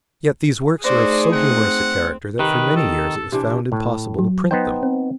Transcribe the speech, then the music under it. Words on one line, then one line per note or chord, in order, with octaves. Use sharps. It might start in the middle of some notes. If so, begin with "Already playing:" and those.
Yet these works are of so humorous a character that for many years it was found impossible to print them.
A3 D#4 F#4 G#4 C5 D5
C4 F#5
C3 D#3 B4
A4
C3 E3 D4
A2
F#3
B3 D#4 C5 G5
C4